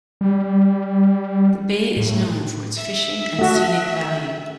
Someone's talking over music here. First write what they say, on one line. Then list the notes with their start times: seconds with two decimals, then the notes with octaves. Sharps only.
The bay is known for its fishing and scenic value.
0.21 G3
1.97 A2
2.77 E5
3.39 A3 F#4